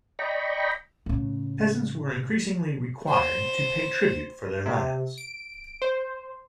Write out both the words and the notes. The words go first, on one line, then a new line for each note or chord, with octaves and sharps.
Peasants were increasingly required to pay tribute for their lands.
D5 D#5 G5 A#5 B5 C#6
A2 C#3
C5
C3
D7
C5